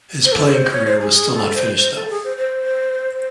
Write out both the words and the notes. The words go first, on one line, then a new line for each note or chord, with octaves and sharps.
His playing career was still not finished though.
C5
A4
C#5
C5
C#5
C5
G#4
G#4
A4
C5
C5
A4
G#4
C5
C5